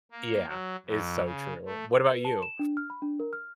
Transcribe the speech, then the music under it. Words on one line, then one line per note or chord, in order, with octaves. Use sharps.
Yeah, it's so true. What about you?
A#3
F#3
F2
C#3
A3
B4
A5
E7
D4
F6
B5
D4
A#4
F6